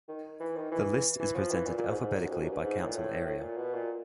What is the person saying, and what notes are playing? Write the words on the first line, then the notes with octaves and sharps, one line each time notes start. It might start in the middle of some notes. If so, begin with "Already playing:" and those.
The list is presented alphabetically by council area.
D#3
E3
D#3
E3
E3
F3
E3
A#2
A#2
G#2
G#2
F#2
F#2
F2
F#2
G2
G#2
A2
A#2
A2
A2
A#2
B2
A#2